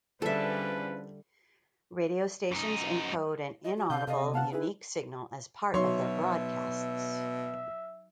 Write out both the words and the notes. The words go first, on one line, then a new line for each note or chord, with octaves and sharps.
Radio stations encode an inaudible, unique signal as part of their broadcasts.
E2 D3 F3 G3 C#4 A4 B4 E5
F#2 D#4
D#5
F#4
C3 F5 G6
C3 A4 D#5 F5
B3 F5 F#5 A5
D#4 E4 G#4 B4
B2 F#3 D#4 C#5 E5 C6